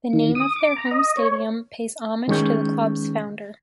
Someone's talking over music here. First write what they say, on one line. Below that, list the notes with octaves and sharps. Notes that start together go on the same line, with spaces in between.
The name of their home stadium pays homage to the club's founder.
D#3
D#6
D6
A#5
D#5
C#5
D#3 G#3 C#4 C#6 G6